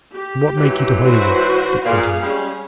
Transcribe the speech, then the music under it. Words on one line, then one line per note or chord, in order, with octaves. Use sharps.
"And what make ye to Holywood?" Dick continued.
G4
G#2 E3 F#3
F#4 B4 C5
A#2 G#4 F5
G3 G#3 C#4